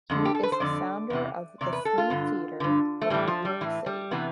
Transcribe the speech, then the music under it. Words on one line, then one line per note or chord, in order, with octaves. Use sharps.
He is the founder of The Flea Theater in New York City.
F2 D3
G4
A4
B4
C5
F2 D3 D5
E2 C3 E3
E2 C3 D5
B4
A4
F4
G2 D3
G2 D3
A3
A2 E3 G3
F3
G3
A2 E3
G3
C3 E3 B3